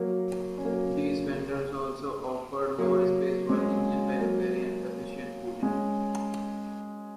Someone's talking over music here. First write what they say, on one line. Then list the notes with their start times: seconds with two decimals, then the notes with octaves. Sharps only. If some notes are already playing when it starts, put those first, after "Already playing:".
These fenders also offered more space for engine periphery and efficient cooling.
Already playing: F#3 A#3
0.57 C#4
0.64 F#3 A#3
2.78 F#3 A#3
3.49 G#3 C#4
4.20 F#3 A#3
5.63 G#3 C#4